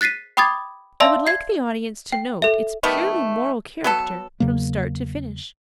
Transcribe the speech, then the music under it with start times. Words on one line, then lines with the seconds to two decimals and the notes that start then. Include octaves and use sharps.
I would like the audience to note its purely moral character from start to finish.
0.01 F#6 A6 B6 C7 D#7
0.37 G5 B5 D6 D#6 G#6 A6
1.00 D5 E5 F5 A5 C6 E6
1.27 G#6 C7
2.12 G5
2.42 A4 E5
2.83 D#3 G3 A3 B3
3.84 F#3 B3 A4
4.40 E2 C#3 F#3 A#3